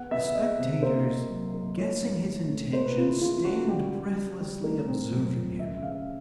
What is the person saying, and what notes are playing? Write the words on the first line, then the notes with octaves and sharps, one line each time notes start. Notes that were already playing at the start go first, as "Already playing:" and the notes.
The spectators, guessing his intention, stand breathlessly observing him.
Already playing: B3 F#5
B3 E5
G#3 D#5
C3
A#3 C5
A#3
F#3
A#3
A3 C#5
G#2
E3
A3
A#3 C5
B4
C#3 F4
E4
C#3 F4
C#3 F#4
G3 G4
G3
G3
G3
A3 A#4
C4
F#3
A#2
C#3 E5
C#3 F5